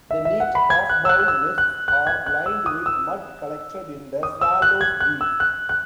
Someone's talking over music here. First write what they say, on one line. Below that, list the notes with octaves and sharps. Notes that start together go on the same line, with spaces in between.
The neat half-bowl nests are lined with mud collected in the swallows' beaks.
E5
E5
F#5
B5
G#6
F#6
E6
F#6
F#6
E6
F#6
F#6
G#6
F#6
E6
D#6
E6
D#6
E6
F#6
G#6
F#6
E6
F#6
F#6